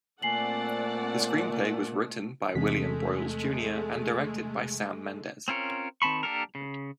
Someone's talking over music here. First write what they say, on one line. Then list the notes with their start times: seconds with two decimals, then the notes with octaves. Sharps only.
The screenplay was written by William Broyles Junior and directed by Sam Mendes.
0.22 A#2 A3 C4 D5 F#5 G#5 C7 F#7
2.55 E2 C3 G#3 A3 B6
5.48 C4 C#4 F4 A#4 C#5
6.02 D#3 C4 A5 B5 C#6
6.23 A#3 D4 G4 A4 A#4
6.55 C#3